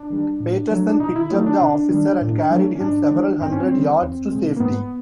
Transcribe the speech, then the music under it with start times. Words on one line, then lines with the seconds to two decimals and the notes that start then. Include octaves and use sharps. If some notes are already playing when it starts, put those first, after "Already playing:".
Patterson picked up the officer and carried him several hundred yards to safety.
Already playing: D4
0.10 D#3 G3
0.40 A2
0.71 F#3 A3
0.89 D4
1.00 B2 D#4
1.15 E4
1.30 F#3 A3 D#4
1.46 D4
1.60 C3 D4
1.90 D#3 G3
2.21 A2
2.50 F#3 A3
2.75 C#4
2.80 G#2 D4
3.11 E3 G#3
3.41 G2 C4
3.52 C#4
3.62 C4
3.71 D#3 G3
4.01 E2
4.31 B2 G#3
4.56 A#3
4.60 G#2 B3